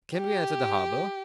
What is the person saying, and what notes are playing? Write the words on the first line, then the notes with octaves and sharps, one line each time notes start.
"Can we enter the harbour?"
G4